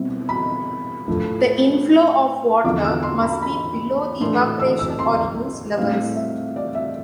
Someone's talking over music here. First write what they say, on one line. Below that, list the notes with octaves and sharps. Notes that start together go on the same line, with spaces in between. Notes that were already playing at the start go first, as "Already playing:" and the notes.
The inflow of water must be below the evaporation or use levels.
Already playing: B2 G3 C4 E4
B5
A2 F3 A3
E2 D3 F3 D6
E6
C6
B5
B5
A2 E3 A3 D4 C6
E6
E6
E6
C6
A2 G3 C4 F5
E5
D5
E5